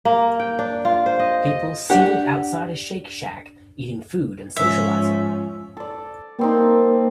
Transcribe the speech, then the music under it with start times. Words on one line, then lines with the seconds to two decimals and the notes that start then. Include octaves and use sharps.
People seated outside a Shake Shack, eating food and socializing.
0.05 A#3
0.40 G5
0.59 D4
0.85 F4
1.06 C5
1.19 D#5
1.47 D#5
1.90 D4 G4 F#5
4.57 G#2 F3 C#4 E5
5.77 A4 D5
6.39 G3 A#3 C4 D#4